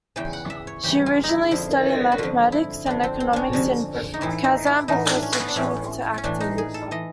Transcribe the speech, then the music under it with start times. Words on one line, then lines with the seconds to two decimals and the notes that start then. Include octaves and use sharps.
She originally studied mathematics and economics in Kazan before switching to acting.
0.16 E2 C#3 E3 G5
0.33 F#5
0.50 E5
0.67 C#5
0.83 E2 C#3 E3 G4
1.06 F4
1.23 D#4
1.29 E4
1.51 F2 D3 E4
2.12 F#4
2.18 F2 D3 F4
2.52 E4
2.86 F2 D3 D4
3.03 C4
3.20 C4
3.33 C#4 D4
3.53 F2 D3
4.14 D#4
4.21 A2 E3 E4
4.44 D#4
4.66 E4
4.88 A2 E3 D#4
5.06 D4
5.22 C#4
5.40 B3
5.48 D4
5.56 A2 E3 C#4
6.18 C#4
6.23 A2 E3 D4
6.40 D#4
6.58 G#4
6.74 A4
6.91 E3 D#5